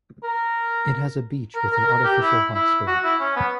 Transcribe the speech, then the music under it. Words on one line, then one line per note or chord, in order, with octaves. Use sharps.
It has a beach with an artificial hot spring.
A#4
A#4
A#4
A#4
G4
E4
E4
F#4
E4
C#4
B3